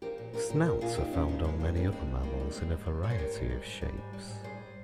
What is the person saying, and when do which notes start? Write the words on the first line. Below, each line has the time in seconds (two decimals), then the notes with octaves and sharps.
Snouts are found on many other mammals in a variety of shapes.
0.02 F3 G4 A#4
0.18 A#2
0.34 F3 G4 A#4
0.49 A#2 G4 A#4
0.65 F3 G4 A#4
0.81 A#2 F4 G#4
0.97 F3 D#4 G4
1.13 A#2 C#4 F4
1.28 G2 C4 D#4
1.44 G2 G#3 C4
1.60 D#3 G3 A#3
1.76 G3 A#3 C#4
1.92 G2 G#3 C4
2.08 G2
2.23 D#3 G3 A#3
2.40 G3
2.54 G3 G#3 C4
2.71 G#2
2.86 G3
3.03 G#2 C#5
3.11 C5
3.18 G3 G4 A#4
3.34 G#2
3.50 G3
3.66 G#2
3.81 G3
3.97 G#2
4.13 G3
4.29 G#2
4.44 G3 G#4 C5